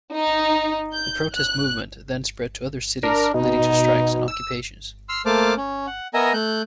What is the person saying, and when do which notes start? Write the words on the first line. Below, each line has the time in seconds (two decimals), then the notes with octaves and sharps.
The protest movement then spread to other cities, leading to strikes and occupations.
0.13 D#4
0.93 G6
1.33 F#6
3.03 D4 A#4
3.34 B2 D#4
4.28 E6
5.09 C6 E6 F6
5.26 A3 A#3 C5 A5 D6 F6
5.57 C#4
5.87 F#5
6.14 B3 A#4 D#5 E5 G#5 A#5
6.34 A3 F#6 G6